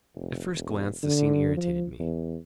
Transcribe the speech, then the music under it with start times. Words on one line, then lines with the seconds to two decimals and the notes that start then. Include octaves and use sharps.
At first glance the scene irritated me.
0.15 F1
0.53 E1
1.03 D3
1.57 F3
1.99 E2